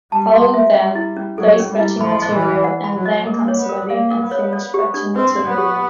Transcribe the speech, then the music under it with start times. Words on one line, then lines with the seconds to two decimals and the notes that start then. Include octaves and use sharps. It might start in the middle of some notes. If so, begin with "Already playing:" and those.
Following that, place patching material and then consolidate and finish patching material.
0.11 G3 A5
0.33 C6
0.54 E5
0.75 G3 C#4
0.95 E4
1.16 C#4
1.38 F#3 A4
1.59 C#4
1.69 G3
1.80 E4
2.01 F3 B5
2.22 D#5
2.32 E3
2.42 B4
2.64 F#5
2.84 B5
2.95 F#3
3.06 D#5
3.27 A#3 A#4
3.48 C#5
3.58 B3
3.69 A#4
3.90 A#3 F5
4.11 A#4
4.21 B3
4.31 C#5
4.53 D5
4.74 G4
4.94 D4
5.16 C4 B4
5.36 D5
5.47 B3
5.58 G4